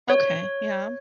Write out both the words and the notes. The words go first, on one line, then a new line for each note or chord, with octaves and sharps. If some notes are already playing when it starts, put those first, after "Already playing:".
Okay, yeah.
C#5